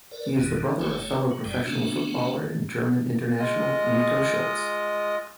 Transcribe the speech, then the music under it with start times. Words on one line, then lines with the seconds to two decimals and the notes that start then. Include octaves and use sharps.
He is the brother of fellow professional footballer and German international Nico Schulz.
0.11 A#4 B4 D5
0.36 A1 F2 B2 D3 D#3
0.79 F#1 A3 C#5 G5 G#5
1.31 F#3
1.44 F#1 F#2 G3 G#3 D5 G5
1.66 C#3 A3 B3 C4 D4 F#4
3.39 G#3 F4 D#5 D#6